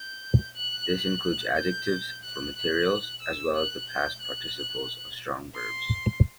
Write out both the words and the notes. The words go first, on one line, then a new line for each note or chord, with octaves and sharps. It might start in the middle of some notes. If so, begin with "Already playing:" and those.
This includes adjectives for materials, as well as the past participles of strong verbs.
Already playing: G6
F#6
G6
F#6
F#6
E6
F#6
G6
F#6
C6